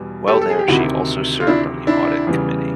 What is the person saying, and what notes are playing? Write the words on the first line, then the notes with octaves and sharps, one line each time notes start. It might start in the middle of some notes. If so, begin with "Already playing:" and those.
While there, she also served on the audit committee.
Already playing: E2 B2 G3
G4 A4
A4
G#4
G4
D2 C3 D#3 E4 F#4
F4
D4 E4
D4 E4
E2 C#3 E3 G3